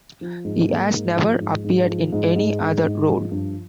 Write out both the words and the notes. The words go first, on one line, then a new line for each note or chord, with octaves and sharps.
He has never appeared in any other role.
F3
G#2
A#3
G#2
F3
G#2
G#2
F3
G#2
G#2
G#2
G#2
F3
G2